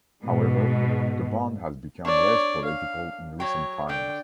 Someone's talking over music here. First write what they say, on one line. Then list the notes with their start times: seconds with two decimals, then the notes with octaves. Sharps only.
However, the band has become less political in recent times.
0.25 G#2 B2
2.05 D4 C#5 D5
2.65 F5
3.40 F#3 C#5 G5
3.89 D3 G5